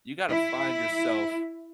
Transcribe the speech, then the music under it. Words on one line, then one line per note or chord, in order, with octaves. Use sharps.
You gotta find yourself
E4